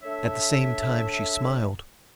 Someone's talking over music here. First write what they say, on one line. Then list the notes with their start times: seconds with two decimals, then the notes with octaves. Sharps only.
At the same time she smiled.
0.03 A3 D4 C#5 E5